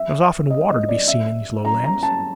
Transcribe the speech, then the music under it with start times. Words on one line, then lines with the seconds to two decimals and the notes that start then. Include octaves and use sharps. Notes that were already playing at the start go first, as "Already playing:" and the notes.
There was often water to be seen in these Lowlands.
Already playing: E5
0.50 D#5
0.70 D#5
0.88 D5
1.08 E5
1.65 A#5
1.84 A#5
2.03 A5